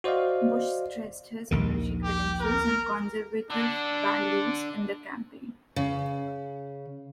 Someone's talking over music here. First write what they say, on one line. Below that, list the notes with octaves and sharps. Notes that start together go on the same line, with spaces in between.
Bush stressed his energy credentials and conservative values in the campaign.
F#4 C5 D5 D#5 F5
A#1 D#2 D#3
G4
A#4
D3 D4
C#3